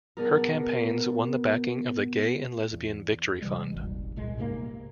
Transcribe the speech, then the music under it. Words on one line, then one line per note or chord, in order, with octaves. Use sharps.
Her campaigns won the backing of the Gay and Lesbian Victory Fund.
B2 B3 D4 G#4 A#4
E2
C3 E3 G3 G#3
D#1 G#1
C2 A#2 G#3
G#2 C3 E3 A#3